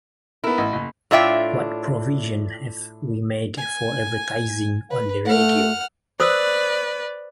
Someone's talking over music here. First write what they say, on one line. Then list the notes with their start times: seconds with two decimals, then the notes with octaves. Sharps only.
What provision have we made for advertising on the radio?
0.44 B3 E4 A#4
0.58 A1
0.73 F#1
1.11 A2 D4 F4 D5 E5 G5
3.58 G#5
4.90 B4
5.25 A3 F#5 F6
6.20 B4 C5 D5 D#6 E6